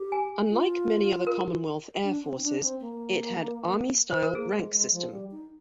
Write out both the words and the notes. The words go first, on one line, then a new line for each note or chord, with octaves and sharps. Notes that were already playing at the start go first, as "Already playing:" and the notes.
Unlike many other Commonwealth air forces, it had army style rank system.
Already playing: G4
G#5
F4
A#4
D4
C4
D#4
D4
C4
A#3
C5
A#4
A#3 G#4
G#3
G#3
F3
G3
D#4